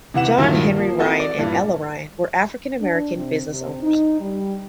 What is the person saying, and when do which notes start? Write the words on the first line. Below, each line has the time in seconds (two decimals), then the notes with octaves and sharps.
John Henry Ryan and Ella Ryan were African American business owners.
0.14 C3 E3 F#5 E7
0.38 G2 A#2 D#3 F#3 C#4 E4
0.75 F3 A#3
0.98 C4 E4 F#4 A4 D#5
1.20 D5 D6
1.39 G2 A#2 E3
2.81 D4
3.16 C3
3.49 C3
3.83 D#4
4.21 G3